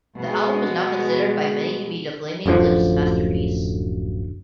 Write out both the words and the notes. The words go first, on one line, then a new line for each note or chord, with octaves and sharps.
The album is now considered by many to be the Flaming Lips's masterpiece.
B2 G#3
D1 F#2 D3 F3